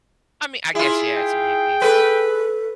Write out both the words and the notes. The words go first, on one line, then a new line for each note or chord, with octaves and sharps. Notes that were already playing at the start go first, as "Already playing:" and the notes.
I mean I guess, yeah, it's a man cave.
E4 F4 G#4
G5
A4 B4